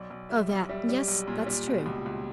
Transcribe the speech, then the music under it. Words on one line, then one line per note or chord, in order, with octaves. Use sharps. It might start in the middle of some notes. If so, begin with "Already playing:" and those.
"Oh, that,--yes, that's true."
Already playing: B1 D5
B1
G3 E5
B1
G3 E5
G3
B1
A#2
G3
B2
C#2
C#2